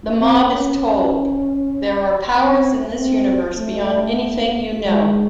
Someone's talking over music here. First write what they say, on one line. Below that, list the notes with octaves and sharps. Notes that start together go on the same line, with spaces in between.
The mob is told, There are powers in this universe beyond anything you know.
C4
C#4
C#4
C4
C4
A3
G#3